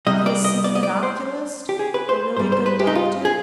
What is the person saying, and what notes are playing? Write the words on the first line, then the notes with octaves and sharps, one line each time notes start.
'He has seen an oculist?--a really good doctor?'
C3 G3 D#5
D5
D#5
D5
D#5
D5
C5
G4
G#4
B4
C5
G#2 G3 C5
C5
B4
G4
D#4
F4
G#4